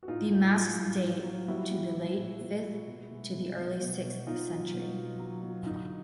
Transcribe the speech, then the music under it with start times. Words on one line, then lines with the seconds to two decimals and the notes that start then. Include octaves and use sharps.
The masks date to the late fifth to the early sixth century.
0.03 F#4
0.08 A2 D#4 F4
0.32 A2
0.55 F#3
0.78 A2
1.02 A2
1.24 F#3
1.48 G3 E4 F#4
1.71 G3
1.95 G3
2.18 A#2
2.41 G3
2.64 A#2
2.87 B2
3.11 G#3
3.34 B2
3.58 B2
3.80 B2
4.04 B2
4.27 B2 D#4 F4
4.50 F#3
4.74 B2
4.97 F#3
5.19 F#3
5.42 F#3
5.66 D3 D#4